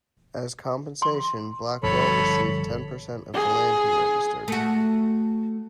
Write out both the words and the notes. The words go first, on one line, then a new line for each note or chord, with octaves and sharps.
As compensation, Blackwell received ten percent of the land he registered.
C6
G1 D3 F3 A4 C#5 B5
G#4
A3 F#4